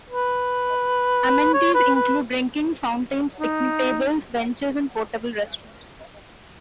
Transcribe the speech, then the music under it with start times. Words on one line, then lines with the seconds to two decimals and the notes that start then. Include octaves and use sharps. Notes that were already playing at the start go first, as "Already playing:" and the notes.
Amenities include drinking fountains, picnic tables, benches, and portable restrooms.
0.09 B4
1.54 C#5
1.74 B4
1.95 B4
3.40 D#4